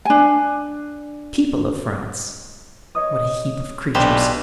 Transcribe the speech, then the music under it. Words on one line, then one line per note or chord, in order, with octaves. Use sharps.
People of France! what a heap of creatures!
D4 G#5
C#5 D#5 D#6
B1 D4 G4 B4 C5